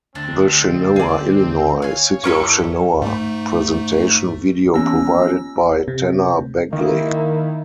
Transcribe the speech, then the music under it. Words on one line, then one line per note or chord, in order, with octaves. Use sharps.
The Chenoa Illinois, City of Chenoa Presentation video Provided by Tanner Bagley.
D2 C4 D4
G#4 D5
C#5 F5 G#5
G2 D3 E4 G4 A4 A#4 C#6
G#2 A3
E3 B3 C#4 E6 A#6
C3
D#3 A#3 E4